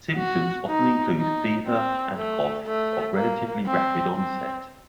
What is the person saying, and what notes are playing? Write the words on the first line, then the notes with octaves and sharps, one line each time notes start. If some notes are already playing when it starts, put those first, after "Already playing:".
Symptoms often include fever and cough of relatively rapid onset.
F#4
D#4
D#4
C4
A3
A3
A#3
C4
C4